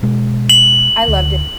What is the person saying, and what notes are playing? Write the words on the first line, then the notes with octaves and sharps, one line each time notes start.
I loved it
B2 G#3
F#7
D2